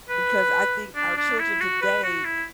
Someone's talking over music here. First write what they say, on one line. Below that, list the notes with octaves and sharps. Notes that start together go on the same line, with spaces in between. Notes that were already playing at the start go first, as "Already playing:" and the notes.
Because I think our children, today,
B4
D4
D4
E4
F#4
B4
F#4
E4